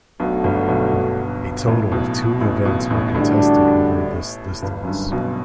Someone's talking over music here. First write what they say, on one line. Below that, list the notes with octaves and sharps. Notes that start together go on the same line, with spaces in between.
A total of two events were contested over this distance.
B1 B2 F#3 A3 D4 F#4 A4
G1 G2
B1 B2
G1 G2
A1 A2
B1 B2
A1 A2
B1 B2
A1 A2
A1 A2 D3 G3 D4 F#4
G1 G2
F#2
G1 G2
B1 B2